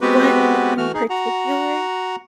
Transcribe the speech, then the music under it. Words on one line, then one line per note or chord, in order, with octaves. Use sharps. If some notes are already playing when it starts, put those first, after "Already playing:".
one in particular,
G#3 B3 C4 F#4 G4 B4
E3 A3 F#4 F6
D#4 G#4
F#4 F#5 A#5